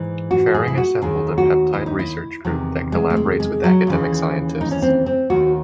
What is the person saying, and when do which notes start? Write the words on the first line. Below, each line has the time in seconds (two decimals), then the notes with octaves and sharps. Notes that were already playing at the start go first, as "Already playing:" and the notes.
Ferring assembled a peptide research group that collaborates with academic scientists.
Already playing: G#2 E3
0.31 F#4
0.54 G#4
0.68 E4
0.78 F#4
1.02 D#2 D#3 G#4
1.38 F#4
1.73 E4
1.86 D#4
1.99 E4
2.45 E2 C3 D#3 F#3
2.92 G#3
3.10 A3
3.16 G#3
3.40 G#3
3.64 F#3
3.87 D#2 C#3 E3
4.61 D#4
4.71 C#4
4.82 C4
5.06 C4
5.30 D#2 D#3 F#4